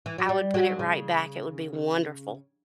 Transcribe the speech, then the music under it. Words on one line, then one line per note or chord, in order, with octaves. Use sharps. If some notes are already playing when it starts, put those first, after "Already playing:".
I would put it right back, it would be wonderful.
E3
F#3
G3
F#3
C#3